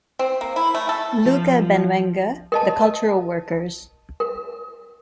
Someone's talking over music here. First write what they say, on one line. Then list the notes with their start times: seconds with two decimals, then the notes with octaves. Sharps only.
Luca Benvenga The cultural workers.
0.19 C4
0.41 A#3
0.56 E4
0.75 A3
0.89 A4
1.25 F3
2.52 A#4 D#5 A5
4.20 A#4